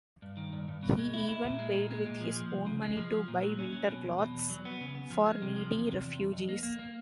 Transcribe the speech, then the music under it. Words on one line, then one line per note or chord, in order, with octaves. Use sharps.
He even paid with his own money to buy winter clothes for needy refugees.
G2
D#3
G2
G2
B2
G#3
E4
E4
A#2
G#3
A#2
G#3
A#2
F3
F3
C2
C#3
G#3
F3
F3
A#2
F#3
C#4
F#3
B2
E2
B2
E2
F#3
B3
C#3
B3
F3
G#3
C3
F3
E2
C3
E2
E2
F2
A#3
A#3
A#3